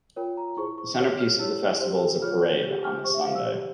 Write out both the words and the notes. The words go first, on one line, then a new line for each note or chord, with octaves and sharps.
The centrepiece of the festival is a parade on the Sunday.
F4 A#4 C#5 G5
A#5
E4 G#4 C5 C#6
C#6
G4 A#4 C#5 F6
F6
E4 G4 C#5 E6
G4 C5
F4 G#4 C#5 F6
G6
G4 C5 G6
F6
G4 C5 C#6
E5
F5
E6
G4 C5